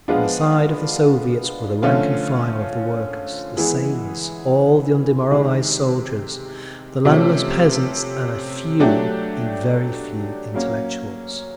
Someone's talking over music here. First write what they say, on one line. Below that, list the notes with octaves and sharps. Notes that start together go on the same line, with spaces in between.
On the side of the Soviets were the rank and file of the workers, the sailors, all the undemoralised soldiers, the landless peasants, and a few--a very few--intellectuals....
F3 G#3 B3 D4 F4
D3 F3 A3 C#4 F4
E3 G#3 B3 E4 G#4
C3 D#3 G#3
C3 F3 A3 C#4
F#3 A3 D4 G4
F#3 A#3 C#4